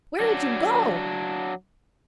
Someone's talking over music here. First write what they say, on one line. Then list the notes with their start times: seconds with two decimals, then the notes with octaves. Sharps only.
"Where did you go?"
0.20 F#3 D4